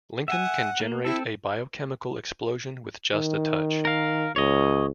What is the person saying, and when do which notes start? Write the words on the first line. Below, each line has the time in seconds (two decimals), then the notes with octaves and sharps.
Lincoln can generate a biochemical explosion with just a touch.
0.28 E5 F#5 G#5
0.80 A#3
1.05 C4 E4 A4
3.14 D#3
3.85 A#4 F5
4.36 C#2 C#5 D#5